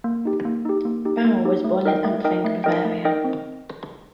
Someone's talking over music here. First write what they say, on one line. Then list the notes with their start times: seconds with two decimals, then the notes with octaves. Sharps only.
Baur was born in Ampfing, Bavaria.
0.04 A#3
0.25 D#4 G4
0.45 A#3
0.65 D#4 G4
0.85 A#3
1.05 D#4 G4
1.25 A#3
1.45 D#4 G4
1.64 A3
1.85 D#4 A#4 D#5 G5
2.04 A3
2.25 D#4 A#4 D#5 G5
2.45 A3
2.64 D#4 A#4 D#5 G5
2.85 A3
3.05 D#4 A#4 D#5 G5
3.25 C4